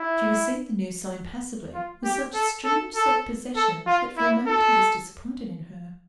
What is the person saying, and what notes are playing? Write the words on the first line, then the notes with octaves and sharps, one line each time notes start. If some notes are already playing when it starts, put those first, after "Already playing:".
She received the news so impassively, with such strange self-possession, that for a moment he was disappointed in her.
Already playing: E4
F4
G4
A4
A4
A4
A4
F4
E4
A4